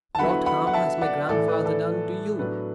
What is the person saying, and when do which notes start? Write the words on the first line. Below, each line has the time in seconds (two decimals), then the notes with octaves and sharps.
What harm has my grandfather done to you?
0.15 A5
0.19 D3 F#3 B3 E4 F#5 B5
0.46 F#5 B5
0.67 F#5
0.73 E5 A5
1.01 D5 F#5
1.29 A2 E3 A3 E4 A4 D5
1.48 B4
1.65 A4 D5
2.39 A2 F#3 B3 D4 B4